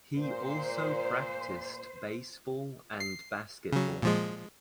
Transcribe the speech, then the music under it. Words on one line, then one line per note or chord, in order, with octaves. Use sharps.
He also practiced baseball and basketball.
A#2 C5
C7
C#3 F#3
A#2 F3 G#3